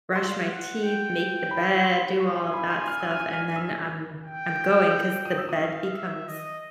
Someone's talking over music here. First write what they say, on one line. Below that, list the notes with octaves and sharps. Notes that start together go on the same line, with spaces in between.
brush my teeth, make the bed, do all of that stuff, and then I'm I'm going 'cause the bed becomes
F5 C6
F#5
G5
B5
C6
G#5 C#6
C6
B5
C6
F6
E6
F6
F6
E6
G5
E6
D#6
E6
D#6
F5
E5
D#5